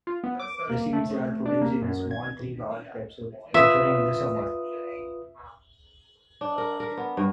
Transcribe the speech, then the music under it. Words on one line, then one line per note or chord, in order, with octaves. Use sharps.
The seeds are produced in a small, three-valved capsule, maturing in summer.
F4
B3
D6
A#3
A3
D4
A#3
F#2
G#6
F4 B4 E5 D#6
D4
A#4
A#4
B3
G2